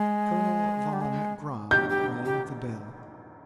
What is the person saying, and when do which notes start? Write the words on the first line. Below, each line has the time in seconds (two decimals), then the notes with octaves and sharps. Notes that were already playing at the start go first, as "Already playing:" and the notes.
Colonel von Gramm rang the bell.
Already playing: G#3
0.93 G3
1.01 G#3
1.71 G4 G6
1.89 G4
2.25 G4